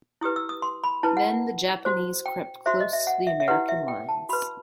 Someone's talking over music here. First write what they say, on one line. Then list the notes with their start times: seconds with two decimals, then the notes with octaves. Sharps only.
Then the Japanese crept close to the American lines.
0.21 E4 G4 B4 D#6
0.36 E6
0.49 D#6
0.62 C6
0.84 B5
1.03 E4 B4 A5
1.17 F#5
1.85 F#4 C5
2.26 G5
2.66 F#4 C5 E5
2.80 D#5
2.93 E5
3.07 F#5
3.27 E5
3.40 E5
3.48 E4 G4 B4 F#5
3.69 E5
3.88 G5
4.09 A5
4.29 F#4 B4 B5